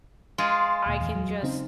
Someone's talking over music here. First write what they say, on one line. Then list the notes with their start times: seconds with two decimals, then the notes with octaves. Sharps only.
I can just
0.38 G#3 F4 G#4
0.86 D2 A#2
1.01 E2
1.15 F#3
1.43 C#3 C4 D#4